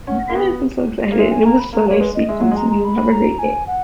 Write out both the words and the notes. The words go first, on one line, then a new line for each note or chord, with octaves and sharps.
Yes, I'm so excited, and it was so nice speaking to you, have a great day.
C#4 F#5
A#3
B3
A#3
G#3 E5
G#5
A#3 A#5
B5
A#3 A#5
A#3 C#5
G#3 B4
D#5
G#3 E5
F#3 F#5
G#3
A#5
A#5
B5
A#5
G#5
F#5